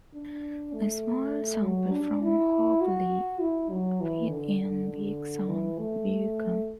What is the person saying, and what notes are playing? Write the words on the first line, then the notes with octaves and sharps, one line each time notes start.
A small sample from "Hog Leg" appeared in Beck's song "Beercan".
D4
A3
F#3
D4
E4
F#4
E4
F#3
E3
D3
D3
D3
E3
A3